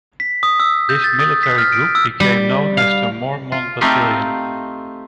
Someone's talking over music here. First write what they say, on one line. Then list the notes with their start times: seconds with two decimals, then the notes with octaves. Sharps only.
This military group became known as the Mormon Battalion.
0.20 B6
0.43 D#6
0.60 E6
0.89 G6
1.04 A6
1.19 D#6
1.43 B6
1.58 F6
1.72 D7
1.95 E6
2.20 G3
2.77 F5
3.52 F4
3.81 A3 C4 D#4 F4 G4 F5